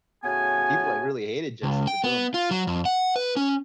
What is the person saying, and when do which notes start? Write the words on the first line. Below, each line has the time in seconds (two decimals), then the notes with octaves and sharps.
like, people, uh, really hated Jesse for doing that, though.
0.23 A2 C#3 B3 F#4 G#5
1.63 C#2
1.87 G5
2.04 B3
2.34 F4
2.51 F#3
2.67 F2
2.85 F#5
3.16 B4
3.37 C#4